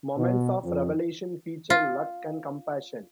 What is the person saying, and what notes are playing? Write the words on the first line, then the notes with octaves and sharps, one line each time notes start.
Moments of revelation feature luck and compassion.
B2
F2
F4